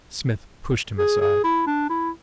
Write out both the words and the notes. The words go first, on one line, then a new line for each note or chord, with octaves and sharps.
Smith pushed him aside.
G#4
G#4
E4
D4
E4